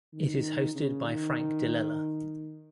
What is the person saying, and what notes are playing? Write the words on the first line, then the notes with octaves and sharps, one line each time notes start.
It is hosted by Frank DiLella.
D#3
C#3
D#3